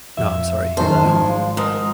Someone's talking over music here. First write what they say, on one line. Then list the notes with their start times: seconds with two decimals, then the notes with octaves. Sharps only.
No, I'm sorry to hear that.
0.17 F2 E5
0.77 F#1 F#2 D#3 C5 A5
1.04 G#1 F3 G#3
1.26 F5
1.57 G#2 A#4 D#6